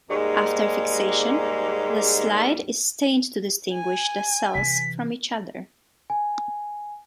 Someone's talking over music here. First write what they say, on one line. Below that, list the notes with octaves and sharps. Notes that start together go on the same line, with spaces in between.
After fixation, the slide is stained to distinguish the cells from each other.
D#2 G#2 G3 G#3 A#3
G#5
C3 E3 B6
G#5